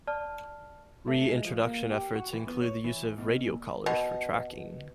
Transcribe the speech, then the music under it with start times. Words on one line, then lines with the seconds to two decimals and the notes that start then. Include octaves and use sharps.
Reintroduction efforts include the use of radio collars for tracking.
0.07 D5 A5 F6
1.08 A3
1.28 G#3
1.44 F3
1.65 A#3
1.90 G4
2.16 F#4
2.33 E3
2.47 B3
2.60 C#5
2.84 E3
3.18 B2
3.44 A#2
3.86 B2